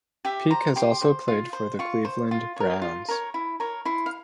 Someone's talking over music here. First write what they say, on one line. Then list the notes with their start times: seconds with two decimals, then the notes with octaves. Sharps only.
Peek has also played for the Cleveland Browns.
0.25 G4 E5
0.51 C5 A#5
0.76 G4 C6
1.02 C5
1.28 F4
1.53 C5
1.79 F4 C#6
2.05 C5
2.31 F4
2.56 A#4 C#5
2.82 F4
3.08 A#4 C#5
3.34 E4
3.60 A#4 C#5
3.85 E4 C6
4.06 F5